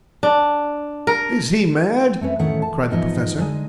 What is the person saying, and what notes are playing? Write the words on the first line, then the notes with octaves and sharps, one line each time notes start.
"Is he mad?" cried the Professor.
D4
A#4
A3 C4 C#4 B4
A2 D#3 A3 C#4 F#5
A5
E2 G#2 F3 B3 D#4 D#5
D3 G#3 D#4